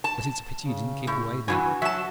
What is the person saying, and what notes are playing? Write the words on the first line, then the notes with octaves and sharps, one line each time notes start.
But it's a pity you didn't keep away, then.
A5
C#3
A2
G2 D#3 E3 F#4 G#5
F#3 E5 A5 E7